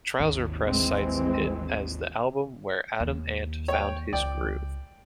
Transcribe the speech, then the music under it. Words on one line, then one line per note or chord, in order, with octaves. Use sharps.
"Trouser Press" cites it as the album where Adam Ant "found his groove".
G#1 D#2
E3 G#3 C4
D#2
C#5 G5
C#2 D5 G5